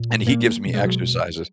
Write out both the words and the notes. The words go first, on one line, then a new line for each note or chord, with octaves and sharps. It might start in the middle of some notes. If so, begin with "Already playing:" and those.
And he gives me exercises.
Already playing: A#2
A#3
B2
G#3
F#3